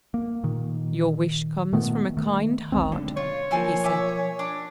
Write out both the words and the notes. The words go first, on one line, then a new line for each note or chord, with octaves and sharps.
"Your wish comes from a kind heart," he said.
A#3
A#2 D#3
A#2 D#3 A3 B3
D#3 A3
G#1 D2 G#3 C4
B1 D3
F4 C#5
B1 F3 A#3 G#5 A5 E6
E5 G#5 D6
D4 D6